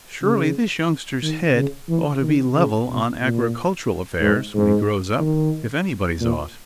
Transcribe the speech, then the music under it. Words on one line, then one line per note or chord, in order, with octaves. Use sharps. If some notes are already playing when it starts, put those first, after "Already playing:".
Surely, this youngster's head ought to be level on agricultural affairs, when he grows up, if anybody's ought.
C#3
D#3
C#3
E3
D#3
C#3
B2
A#2
G#2
G#2
D#3
A#2